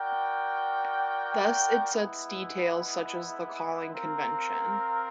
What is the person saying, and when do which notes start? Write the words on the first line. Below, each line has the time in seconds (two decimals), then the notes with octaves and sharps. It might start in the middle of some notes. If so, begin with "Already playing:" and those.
Thus it sets details such as the calling convention.
Already playing: F#4 A#4 D5 G5
1.91 G#3 B3 E4
3.92 C4 F4 A#4